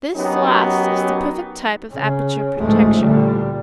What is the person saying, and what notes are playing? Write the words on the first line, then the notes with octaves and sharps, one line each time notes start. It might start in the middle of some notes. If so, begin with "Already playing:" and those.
This last is the perfect type of aperture protection.
F#3 B3 C#4 D#4 G4 A#4
C#3
A1 D2 G#2 F3 G#3 A3
D2 A#2 D3 G3